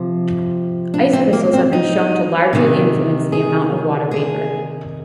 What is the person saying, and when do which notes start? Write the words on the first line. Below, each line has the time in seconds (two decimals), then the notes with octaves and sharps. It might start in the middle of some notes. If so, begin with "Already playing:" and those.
Ice crystals have been shown to largely influence the amount of water vapor.
Already playing: C3 F3
0.94 D4
1.13 C4
1.33 A#3
1.53 C4
1.73 D#4
2.53 C3 D#3
3.32 G#4
4.11 G#4